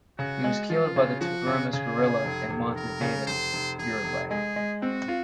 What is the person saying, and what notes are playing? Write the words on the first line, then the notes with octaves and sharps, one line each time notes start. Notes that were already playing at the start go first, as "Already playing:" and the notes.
He was killed by the Tupamaros guerilla in Montevideo, Uruguay.
C#3 F#4
G#3
F3 F4
C#3
F3 F#4
C#3
C#3 G#4
C#3
F1
F1
F1 A#4
C#3
F1 C5
F1
F1 G#4
F1
G#3 G#4
G#3
C4 F#4
F4